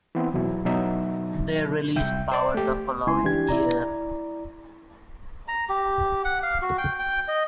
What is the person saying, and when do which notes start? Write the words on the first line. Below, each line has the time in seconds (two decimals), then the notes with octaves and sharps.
They released "Power" the following year.
0.15 E3 B3 C4
0.34 E2 B2 F#3 E4
0.65 B2 F#3 D#4 E5
1.96 C2 E5 G5 G6
2.32 C5 D5
2.54 A3 G4
3.07 C#2 E4 G#5 C6
3.24 E3 D4 G4 G#6
3.49 E4 D5 A#5
5.48 A#5
5.69 G4
6.24 F#5
6.43 F5
6.62 F#4
6.78 G5
6.99 G5
7.28 D#5